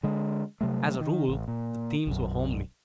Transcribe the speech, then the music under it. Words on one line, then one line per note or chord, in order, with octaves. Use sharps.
As a rule the themes were homely.
D3 G#3
C3 F#3 G3 A3
D#3
A1
A#2
B1 F#2